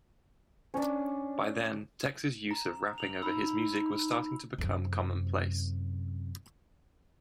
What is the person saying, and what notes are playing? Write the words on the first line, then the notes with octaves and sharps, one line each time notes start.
By then, Tex's use of rapping over his music was starting to become commonplace.
C#4 D4
A#5
F7 F#7
D#4 B5 E6
F#2 C3